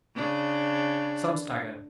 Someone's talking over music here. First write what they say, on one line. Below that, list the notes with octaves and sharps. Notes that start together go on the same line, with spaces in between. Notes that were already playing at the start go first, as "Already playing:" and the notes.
Some stagger.
C#3 D4